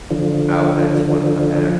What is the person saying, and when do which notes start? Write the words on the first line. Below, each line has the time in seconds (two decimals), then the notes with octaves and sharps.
out and I just wanna come back.
0.10 D3 F3